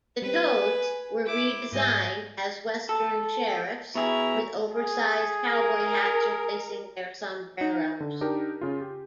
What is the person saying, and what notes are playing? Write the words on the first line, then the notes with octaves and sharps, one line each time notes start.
The toads were redesigned as western sheriffs with oversized cowboy hats replacing their sombreros.
G3 C4 B4
G#5
E4 D6
G#2 G3 D#5 E5 G#5
A4
B2 E4 G#4 E5 A#5
G#4
A#4
D#4
D3
D4 D#4 G4 A#4
C#3 F4
G4